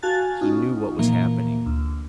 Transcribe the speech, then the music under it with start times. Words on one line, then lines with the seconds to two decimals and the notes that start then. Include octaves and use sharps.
He knew what was happening....
0.02 F#4 F5 G#5 A5 F#6 A6
0.41 C#4 D#4 F4
0.98 A#2 E3 F3 A#3
1.66 D2